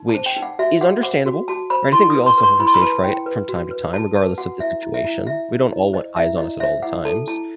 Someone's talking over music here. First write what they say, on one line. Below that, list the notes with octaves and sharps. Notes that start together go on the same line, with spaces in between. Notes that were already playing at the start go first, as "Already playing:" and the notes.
which is understandable, right, I think we all suffer from stage fright from time to time regardless of the situation. We don't all want eyes on us at all the times,
Already playing: D#4
A5
C5
G5
D#4
F#5
F#4 E5
F#4 F#5
C5 F#5
F#4
F#4 A5
C5 B5
E4 C6
D#6
B4
C6
B4
C6
E4 B5
C6
B5
B4 A5
E4 G5
B4
F#4
B4
F#4 A5
B4 A5
F#4 F#5
E4 E5
E4
E5
E4
E4 E5
E4
E4
C5 D#5
E4 E5
E4 D#5
C5 E5
E4 F#5
A4 A5
E4 A5